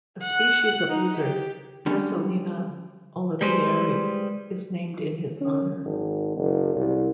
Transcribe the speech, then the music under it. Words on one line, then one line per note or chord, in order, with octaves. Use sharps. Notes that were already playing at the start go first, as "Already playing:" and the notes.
A species of lizard, "Mesalina olivieri", is named in his honor.
F#5
D#4
G4
D3 G3 C#4
G3 G#3 B4 C5
C#4
G#1
F#1
C2